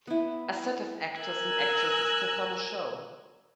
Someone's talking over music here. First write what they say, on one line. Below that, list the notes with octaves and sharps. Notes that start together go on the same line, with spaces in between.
A set of actors and actresses perform a show.
B3 E4
A#4 G#5 E6 F#6 G#6